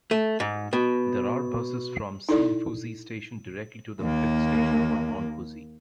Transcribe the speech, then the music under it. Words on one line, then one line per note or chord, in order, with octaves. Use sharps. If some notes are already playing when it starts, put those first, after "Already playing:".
There are buses from Shin-Fuji Station directly to the fifth Station on Mount Fuji.
A3
G#2
B2
D#4 E4 A4 D5
D#2 A#3